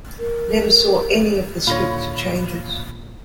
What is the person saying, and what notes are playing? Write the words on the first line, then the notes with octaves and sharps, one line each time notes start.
Never saw any of the script changes.
A#4
D#1 D#2 A#2 D3 F4 C#5 B5 A#6